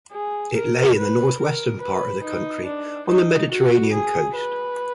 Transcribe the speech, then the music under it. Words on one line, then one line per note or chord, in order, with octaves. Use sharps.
It lay in the northwestern part of the country, on the Mediterranean coast.
G#4
A#4
B4
A#4
B4
D#4
D4
D#4
F#4
G#4
B4